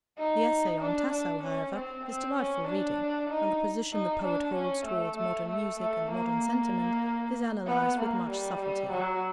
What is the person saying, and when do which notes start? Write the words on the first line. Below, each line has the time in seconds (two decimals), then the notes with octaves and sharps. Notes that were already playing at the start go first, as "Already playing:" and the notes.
The essay on Tasso, however, is delightful reading, and the position the poet holds towards modern music and modern sentiment is analysed with much subtlety.
0.18 D#4
0.81 D4
1.11 D4
1.43 C#4
1.74 C4
2.05 C4
2.37 C#4
2.67 D4
3.30 D#4
3.93 D#4
4.24 D4
4.55 C#4
4.86 A3
5.17 A3
5.48 A3
5.80 A3
6.11 A#3
7.66 B3
7.98 A#3
8.29 G3
8.60 G3
8.91 F#3